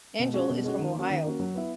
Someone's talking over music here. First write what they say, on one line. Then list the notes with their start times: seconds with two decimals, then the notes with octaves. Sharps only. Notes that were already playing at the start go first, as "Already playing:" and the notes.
Engel is from Ohio.
0.19 B2
0.34 G#3 C#4 F#4
0.50 B2
0.64 G#3 C#4 F#4
0.79 D#3
0.94 A#3 C#4 F#4
1.10 D#3
1.25 A#3 C#4 F#4
1.40 F#3
1.55 B3 E4